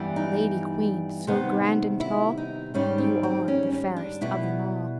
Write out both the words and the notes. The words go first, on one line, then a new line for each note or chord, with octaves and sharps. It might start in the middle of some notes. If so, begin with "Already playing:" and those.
"Lady queen, so grand and tall, You are the fairest of them all."
Already playing: G2 E3 G3 B3
D#4
C3 D#3 G3 B3
E4
D#4
G#2 D#3 G3 C#4
C4
C4
C#4
C#4
D4
B2 G3 B3 E4